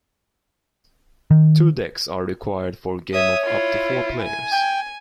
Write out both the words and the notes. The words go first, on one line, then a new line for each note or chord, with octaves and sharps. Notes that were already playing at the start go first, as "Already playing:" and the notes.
Two decks are required for game of up to four players.
D#3
C#5 E5 D#6
E4 F4
G#5
G5